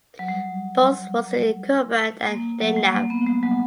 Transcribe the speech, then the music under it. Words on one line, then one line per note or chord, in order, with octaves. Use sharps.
Bowles was the incumbent at Nenagh.
F#3
G3
A#3
F#3
G3
A#3
B3
G3
F#3